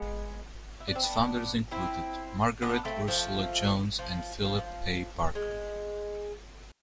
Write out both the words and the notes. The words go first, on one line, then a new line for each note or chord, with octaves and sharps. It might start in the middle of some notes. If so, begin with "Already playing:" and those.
Its founders included Margaret Ursula Jones and Phillip A. Barker.
Already playing: G#3 B3
E4
D4
C4
B3 D4
C4 E4
B3 D4
A3 C4
F3 A3
F3
F3
G#3